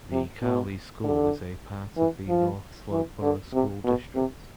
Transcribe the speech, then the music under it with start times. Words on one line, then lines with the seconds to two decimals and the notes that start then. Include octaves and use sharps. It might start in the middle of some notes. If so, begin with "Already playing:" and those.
The Kali school is a part of the North Slope Borough School District.
0.12 C3
0.42 B2
1.04 D3
1.97 E3
2.29 F3
2.92 E3
3.22 D3
3.53 C3
3.84 B2
4.15 C3